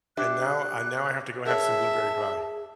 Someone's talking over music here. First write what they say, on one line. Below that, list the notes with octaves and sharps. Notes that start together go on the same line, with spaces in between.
And now, I now, I have to go have some blueberry pie.
D4 G4 E5 F#6
G#4 A#4 C#5 E5 A5